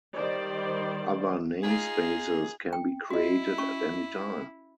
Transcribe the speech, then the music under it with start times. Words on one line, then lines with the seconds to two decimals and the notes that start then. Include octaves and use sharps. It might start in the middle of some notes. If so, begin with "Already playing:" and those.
Other namespaces can be created at any time.
0.15 D#3 G3 C5 D5
1.63 D#4 F4 G#4
2.73 G5
3.10 E4 F#4 D#5
3.58 C#4 C#6